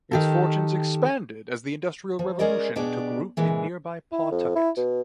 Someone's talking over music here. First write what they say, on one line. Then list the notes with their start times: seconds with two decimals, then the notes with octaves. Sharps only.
Its fortunes expanded as the Industrial Revolution took root in nearby Pawtucket.
0.11 D#3 G4 A4
2.19 F3
2.39 G#3 C#4 A#4 D5 D#5
2.76 B2 D4 G4 G#4 D5
3.37 A#2 E3 G#3
4.12 E4
4.31 F2
4.56 E4
4.77 B2